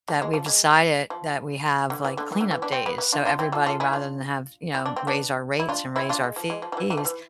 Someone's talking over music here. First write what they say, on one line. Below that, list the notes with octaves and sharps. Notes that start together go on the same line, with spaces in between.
that we've decided that we have, like, cleanup days. So everybody rather than have you know, raise our rates and raise our fees,
A3
G#3
F3
G#3
F3
D3
E3
D3
E3
D3
E3
B3 D4
C4
B3
B3
D4 F4
D4 F4
C4 E4
F4 A4
F4 A4
E4 G#4
D4 F4
E4
D4
C4
B3 D4
E4
D4 F4
C4 E4
D4 F4
G#3
F3
G#3
F3
F3
E3
D3
F3
E3